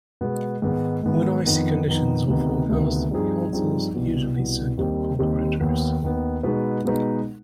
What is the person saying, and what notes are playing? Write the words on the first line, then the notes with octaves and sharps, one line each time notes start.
When icy conditions are forecast, councils usually send out gritters.
B2 G#3 B3
G#2 D#3 G#3 B3
G#2 D#3 G#3 B3
F2 D#3 B3 D#4
F2 D#3 B3 D#4
D2 C3 D#3 B3 D#4
D2 C3 D#3 B3 D#4
G2 F3 C4 D#4 G#4
G2 F3 C4 D#4 G#4
C2 B2 B3
C2 B2 B3
D#2 D#3 G3 C4 G4
D#2 D#3 G3 C4 G4
D#2 D#3 B3
D#2 D#3 B3
B2 G#3 B3 D#4 B4
B2 G#3 B3 D#4 B4